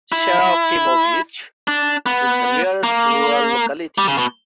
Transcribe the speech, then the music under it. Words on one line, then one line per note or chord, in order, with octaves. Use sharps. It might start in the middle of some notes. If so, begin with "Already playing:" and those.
Serafimovich is the nearest rural locality.
E4
D4
B3
A#3
G3
C#3
B2